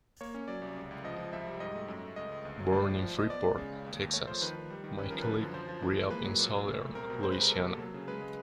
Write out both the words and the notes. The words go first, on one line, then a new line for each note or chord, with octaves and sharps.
Born in Freeport, Texas, Miculek grew up in southern Louisiana.
A#3 C#5
C#4
F#3 D5
C2
C#2
C#2
F3 D#5
F3
C2 E5
G3
G#2 D#5
A3
F#2
A3
C#2 D#5
C#2
D2
F#3
A2 D5
F3
F3
F3 D#5
B3 D5
G#3
C#3
C#2
D#2
D#2
A3 C#5
F3 C5
D#3 B4
D#3
G3
D#3
C#4 B4
F3 A#4
D3 B4
F#2
F3 C5
F3
E3
G#3
A#3 B4
F#3
A#2
A#2
A3
C2
C4 A#4
B2
G#3 C5
B4
C3 A#4
B2 A4
A#3
F#3
C#3
G#3 B4
G#3